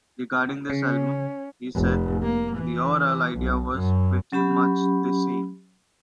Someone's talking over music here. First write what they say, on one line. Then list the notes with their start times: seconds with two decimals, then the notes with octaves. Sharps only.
Regarding this album, he said: The overall idea was pretty much the same.
0.70 C#3 C#4
1.75 F1
2.23 A#3
2.57 E3
3.38 B1
3.74 F#2
4.32 F#3 C#4 G4 B5